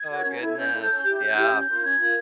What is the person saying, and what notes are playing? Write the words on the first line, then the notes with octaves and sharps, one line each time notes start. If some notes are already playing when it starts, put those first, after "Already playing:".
Oh, goodness, yeah.
Already playing: G#6
F#4 A#4 C#5
C#4
E4 A4
C#4 G6
E4 A4
C#4
E4 G4
C#4 G6
E4 G4
C#4
F4 A#4
C#4 G#6
F4 A#4